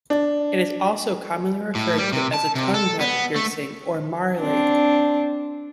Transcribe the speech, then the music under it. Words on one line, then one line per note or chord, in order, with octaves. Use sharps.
It is also commonly referred to as a "tongue web piercing" or "Marley".
D4
A2
G3
C3
A5
C3
A4
B3
A3
C4 D4